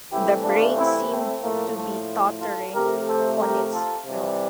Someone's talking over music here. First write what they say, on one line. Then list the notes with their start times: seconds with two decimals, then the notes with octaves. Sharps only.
The brain seemed to be tottering on its throne.
0.10 C3 E3 A3 E4 G4
0.43 D4 F4
0.76 C4 E4
1.09 A3 C4
1.42 A2 F3 A3 A#3
1.76 A3
2.40 F4 A4
2.73 C3 F3 A3 G4 A#4
3.06 A4 C5
3.39 G4 A#4
3.72 F4 A4
4.05 C3 E3 G3